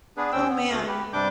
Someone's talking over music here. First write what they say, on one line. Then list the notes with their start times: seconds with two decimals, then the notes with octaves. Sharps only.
Oh, man.
0.17 B3 D4 G#4 B4
0.32 D#2 C4 G5 E6
0.49 B3
0.69 D2 A3 F5
0.87 G4 B4
1.13 G2 C3 G3 D4 D6 G6